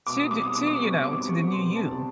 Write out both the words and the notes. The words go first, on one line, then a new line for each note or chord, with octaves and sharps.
To do to, you know, to the new you
B2 D6
D#6
G3 C4 D6
D#6
B2 D6
D6
G3 C4 C#6
C#6
B2 D6
G3 C4 C#6
B2 C6
G3 C4 A5